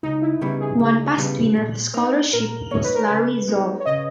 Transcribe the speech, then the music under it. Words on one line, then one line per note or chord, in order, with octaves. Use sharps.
One past winner of the scholarship was Larry Zolf.
C#2 D#4
E4
C#3 G3 B3 E4
G#4
C#2
C#3 G3 B3
A#2
A#3 D#4
A#2 A#4
A#3 D#4 C#5
B4
A#4
C#3 B4
G#3 B3 D#4
C#5
C#3 D#5